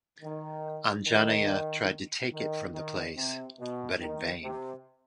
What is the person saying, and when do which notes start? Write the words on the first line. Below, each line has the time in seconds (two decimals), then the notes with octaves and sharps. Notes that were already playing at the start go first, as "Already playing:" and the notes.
Anjaneya tried to take it from the place but in vain.
0.21 D#3
1.05 D#3
2.32 D#3
2.74 D#3
3.16 C3
3.59 B2
4.00 D#3
4.42 C3